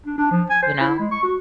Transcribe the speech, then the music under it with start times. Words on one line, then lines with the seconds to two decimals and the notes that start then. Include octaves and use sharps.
you know?
0.06 D4
0.18 D4
0.31 F3
0.50 G#5
0.63 C5
0.81 E4
1.00 G#3
1.11 C#6
1.23 F#4